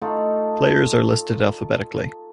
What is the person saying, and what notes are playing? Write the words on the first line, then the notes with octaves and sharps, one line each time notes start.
Players are listed alphabetically.
A3 D#4 F4 A4